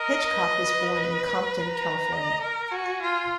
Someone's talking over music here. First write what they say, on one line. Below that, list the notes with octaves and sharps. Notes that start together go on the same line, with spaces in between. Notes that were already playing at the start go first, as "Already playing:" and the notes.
Hedgecock was born in Compton, California.
Already playing: A#4 D#5
B4
A#5
D#5
A#4
F#4 G#5
F4